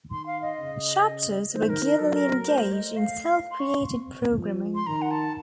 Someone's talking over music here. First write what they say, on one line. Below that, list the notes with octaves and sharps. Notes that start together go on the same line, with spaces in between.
Chapters regularly engage in self-created programing.
D#3 C6
F5
D#5
C#3
D#3 C5
A#4
A#4
F#3 A4
A#4
A3 C5
D#5
F5
C6
C#6
C4
F3
C6
D#3 A#5
F#5
A5